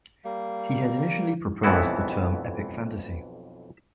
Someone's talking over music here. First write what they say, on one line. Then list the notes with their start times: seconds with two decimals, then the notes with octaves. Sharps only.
He had initially proposed the term "epic fantasy".
0.24 G3 A#3
1.63 B1 F2 E3 B3 E4 F#4